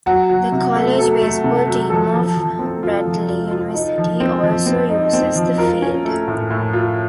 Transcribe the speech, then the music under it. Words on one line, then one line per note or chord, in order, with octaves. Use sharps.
The college baseball team of Bradley University also uses the field.
F#3 F#4
F#3
C3
A3
F#3 A4
A3
C3
F#3
F3 A4
F3
F3
C4
F4
F3
F4
F4
D#4
F3
C4
F3
C4
D#4
C4
F3
F4 A#4
C#4
A3
A2
A2
F4